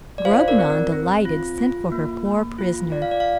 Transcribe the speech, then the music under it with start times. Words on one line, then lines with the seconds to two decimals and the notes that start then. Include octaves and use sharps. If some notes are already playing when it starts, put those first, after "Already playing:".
Grognon, delighted, sent for her poor prisoner.
0.18 D5
0.25 F4 C5 F5
0.48 A#4 D5
0.59 C4
0.70 A#4
0.92 C4
1.25 F4
1.58 F4
1.92 A#3
2.25 A#3
2.59 F4
2.92 F4 D5
3.02 F5
3.11 D5
3.20 F5